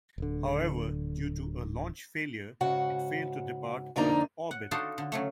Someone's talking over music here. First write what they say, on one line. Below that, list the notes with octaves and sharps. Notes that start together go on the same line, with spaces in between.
However, due to a launch failure, it failed to depart Earth orbit.
D1 D3
G#2 C#3 F#4 F#5
F2 D3 A#3 D4 D#4 A#5
F#5
D4 D#4 F4 F#4 A4 F5
D3
C#3 F#3 A3